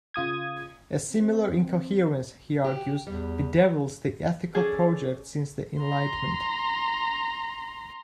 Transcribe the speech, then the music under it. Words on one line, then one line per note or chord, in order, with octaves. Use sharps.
A similar incoherence, he argues, bedevils the ethical project since the Enlightenment.
C#3 F4 D#6 G#6
C4
F#4 G4
E2 G3
C#4 G#4 A4 D5
A#5 C6